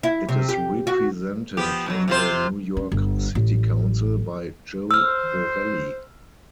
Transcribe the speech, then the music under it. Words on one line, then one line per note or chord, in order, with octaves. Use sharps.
It is represented in the New York City Council by Joe Borelli.
E4
C3
G4
F#4
F3 B3 G4
B2 E3 F#3
C3 F4 C5
C#4
G1
A1
C5 E6 F6